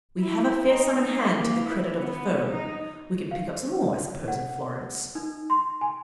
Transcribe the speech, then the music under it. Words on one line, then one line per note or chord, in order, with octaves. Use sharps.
We have a fair sum in hand to the credit of the firm; we can pick up some more, I suppose, in Florence.'
E4
D#4
A#3
E4
B3
D#4
F5
F#5
D#4
C6
G#5